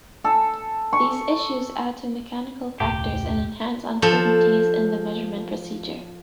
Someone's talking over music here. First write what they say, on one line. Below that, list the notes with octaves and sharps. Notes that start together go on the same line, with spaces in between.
These issues add to mechanical factors and enhance uncertainties in the measurement procedure.
A4
C#6
E1 C#2 A2 G4
F3 A4